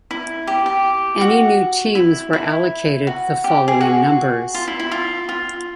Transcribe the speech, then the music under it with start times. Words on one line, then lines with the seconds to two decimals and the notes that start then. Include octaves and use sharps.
Any new teams were allocated the following numbers.
0.11 E4
0.47 G4
0.66 G4
1.21 F#4
1.95 E4
2.33 E4
3.07 F#4
3.44 G4
3.68 G#4
3.81 F#4
4.54 F4
4.68 E4
4.80 E4
4.92 F4
5.29 F4